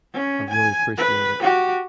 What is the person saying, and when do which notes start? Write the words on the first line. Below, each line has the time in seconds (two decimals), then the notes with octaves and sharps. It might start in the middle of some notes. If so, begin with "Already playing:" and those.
I really appreciate it.
0.13 C#4
0.50 G#5
0.98 B4
1.41 F#4 G4